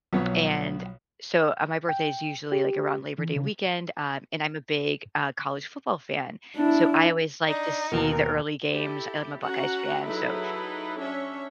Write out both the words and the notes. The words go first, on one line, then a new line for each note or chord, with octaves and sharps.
And so uh, my birthday is usually, like, around Labor Day weekend, um, and I'm a big, uh, college football fan, so, I always like to see the early games, I'm a Buckeyes fan, so,
B1 F3 B3 B4 C#5
G5
G4
E3
C#3
D4 E4
D4 D#4
D#2 B2 A#4
E4 G4 A4
C#4 F#4 F#5 A#5
F#3 D#4 E4 G#4 A4 B4
C#4 D4 C#5 E5